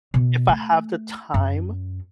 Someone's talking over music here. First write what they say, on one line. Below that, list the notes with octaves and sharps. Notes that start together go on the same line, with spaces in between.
If I have the time,
B2
A3
F#2